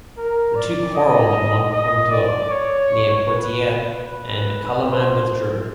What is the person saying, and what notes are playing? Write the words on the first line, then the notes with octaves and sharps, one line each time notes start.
The two quarreled at Moncontour, near Poitiers, and Carloman withdrew.
A#4
D5
D#5
D#5
D5
C#5
B4
B4
C5